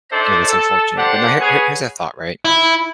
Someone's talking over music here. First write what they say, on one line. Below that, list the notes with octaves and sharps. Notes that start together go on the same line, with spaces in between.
you know, that's unfortunate. But now here here here's a thought, right,
D4 D#4 A4 C5 D5 E5
A4
D4 G4 A4 C5 F#5
B3 G#4 B4 C#5 F#5 G#5
E4